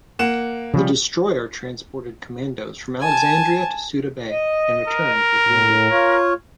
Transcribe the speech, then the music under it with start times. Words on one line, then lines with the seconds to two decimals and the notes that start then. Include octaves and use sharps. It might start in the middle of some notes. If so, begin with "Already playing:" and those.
The destroyer transported commandos from Alexandria to Suda Bay, and returned with wounded.
0.19 A#3 F#5 E7
0.74 C#3 F3 G3
3.00 G#5 A5
4.31 D#5
4.87 A#4
5.44 A2
5.90 F4 C#5